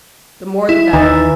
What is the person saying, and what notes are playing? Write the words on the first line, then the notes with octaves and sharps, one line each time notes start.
The more the better.
E4
D#2 D#3 E3 D#4 A#5 A6